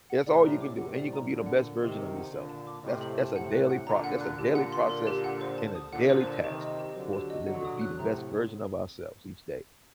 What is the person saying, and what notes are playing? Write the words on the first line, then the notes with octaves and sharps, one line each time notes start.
That's all you can do, and you're gon' be the best version of yourself. That's that's a daily pro that's a daily process and a daily task for us to live to be the best version of ourselves each day,
F#5
A2 C3 D5
A#5
D6
A2 C3 F#5
D5
A#5
A#2 D3 A#4
F#5
A#4
C3 D#3 D#5
A#4
F#5
A#2 D3 A4
A5
D6
A2 C3 D#5
A4
A5
A2 C3 F#5
F#6
F#5
A#2 D3 A#5
F#5
F#6
A#2 D3 G4
F#5
C6
A#4
G4
F#5
C5
A5
D#6
A#2 D3 F#5
C5
A5
C3 D#3 G4
D#5
G4
D3 F#3 C5
G4
D#5
D3 F#3 F#5
D#6
F#6
A2 C3 A#5
F#5
D#6